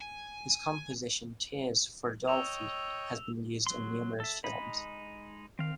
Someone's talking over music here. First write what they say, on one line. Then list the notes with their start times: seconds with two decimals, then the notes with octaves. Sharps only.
His composition "Tears for Dolphy" has been used in numerous films.
0.01 G#5
2.27 C#5 D#5 G5 E6 E7 F7
3.67 F#3 C6
4.20 A4 E5
4.44 G#3 D#4 B5
5.59 D#3 C4 F5